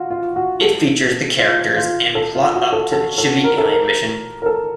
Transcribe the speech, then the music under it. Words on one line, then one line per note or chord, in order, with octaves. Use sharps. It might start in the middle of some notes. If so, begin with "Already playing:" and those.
It features the characters and plot up to the Chibi Alien mission.
Already playing: F4 F#4
F4
F#4
A4
F4
F4
A4
F4
F#4
A4
A4
A4
A#4
A4
A#4
A#4
A4